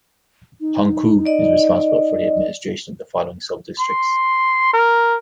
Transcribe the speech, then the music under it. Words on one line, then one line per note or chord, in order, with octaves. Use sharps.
Hongkou is responsible for the administration of the following subdistricts.
D#4
D5 D#5
C6
A#4